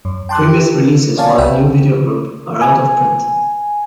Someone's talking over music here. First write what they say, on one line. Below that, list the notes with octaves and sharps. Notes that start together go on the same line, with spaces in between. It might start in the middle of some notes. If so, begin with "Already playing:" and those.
Previous releases via New Video Group are out of print.
F#2
G5 A5 C6 D6 F#6
G4
C#5 D5 F5 G#5 A5
C2 E5 F#5 G5
G#5